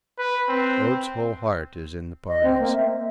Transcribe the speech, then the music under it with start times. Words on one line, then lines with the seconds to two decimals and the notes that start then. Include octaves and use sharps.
Oates' whole heart is in the ponies.
0.19 B4
0.49 C4
2.27 D#5
2.43 C4
2.59 A#3
2.72 E5